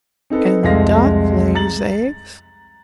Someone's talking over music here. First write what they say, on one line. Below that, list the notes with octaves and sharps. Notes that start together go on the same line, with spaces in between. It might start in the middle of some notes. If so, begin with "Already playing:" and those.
And the Duck lays eggs.
C4 D#4 A4 B4
C2 F2 G#3 F5 A#6
A#5 A6 F#7